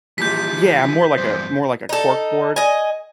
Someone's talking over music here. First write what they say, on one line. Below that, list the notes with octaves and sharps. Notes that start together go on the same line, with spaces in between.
Yeah, more like a more like a corkboard.
A#1 A#2 E3 F3 G3 G6 B6
E2 G2 C5
D#4 A4
D#5 G#5